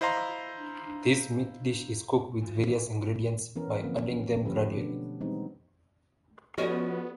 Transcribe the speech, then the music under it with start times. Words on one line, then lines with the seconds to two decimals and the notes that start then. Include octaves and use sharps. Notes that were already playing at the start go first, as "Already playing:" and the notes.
This meat dish is cooked with various ingredients by adding them gradually.
0.01 E4 C5 D#5 F5 A#5 C6
3.56 E3 B3 C#4 A#4
3.83 D3 F3 A#3 C4 C#4
4.13 C#4
4.45 D3 F3 A3 C#4 G4 B4
4.77 B2 B3 D4
5.20 E3 G3 G#3 B3 C4 D#4
6.58 F3 B3 C#4 F#4 G4 A4 D5 D#5